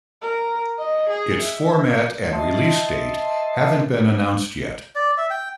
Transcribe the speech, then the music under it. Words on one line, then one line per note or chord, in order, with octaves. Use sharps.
Its format and release date haven't been announced yet.
A#4
D#5
G#4
E5
D#5 E5 A5 C6
D5
E5
G5